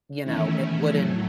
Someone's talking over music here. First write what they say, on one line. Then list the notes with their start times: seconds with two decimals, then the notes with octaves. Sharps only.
You know, it wouldn't
0.24 E2 D#3 A3 C#4 E4
0.90 A2 F#3 A3